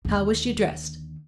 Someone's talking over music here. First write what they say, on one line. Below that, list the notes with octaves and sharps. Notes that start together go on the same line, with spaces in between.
"How was she dressed?"
D#2 D3